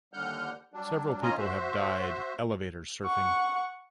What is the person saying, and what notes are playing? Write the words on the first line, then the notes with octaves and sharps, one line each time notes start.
Several people have died elevator surfing.
D#2 D3 G3 F#5 F6 G6
F#3 G3 D4
D#2 C#4 F4 D#5 G#5 A#5
F#4 C5 E5
F#5 C#6